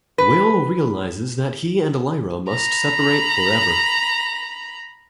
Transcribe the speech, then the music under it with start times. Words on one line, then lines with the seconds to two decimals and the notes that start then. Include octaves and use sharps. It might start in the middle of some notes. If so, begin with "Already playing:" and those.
Will realises that he and Lyra must separate forever.
0.18 B4
2.49 A#5 B5